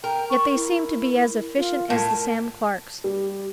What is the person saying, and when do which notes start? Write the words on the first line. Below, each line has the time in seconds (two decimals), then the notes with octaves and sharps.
Yet they seemed to be as efficient as the Sam Clarks.
0.04 A#4 G5
0.30 C#6
0.55 E4
1.57 F4
1.90 A2 A#4
3.04 G3